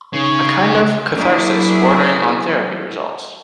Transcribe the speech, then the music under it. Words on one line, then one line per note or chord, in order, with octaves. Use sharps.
A kind of catharsis bordering on therapy results.
C#3 D#4 C#5
F#3 A#3 D4 E4 G#4